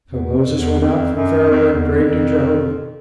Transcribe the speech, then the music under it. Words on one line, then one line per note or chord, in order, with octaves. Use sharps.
So Moses went out from Pharaoh and prayed to Jehovah.
E2
F2
E2
F2
F#2
F2
E2
F2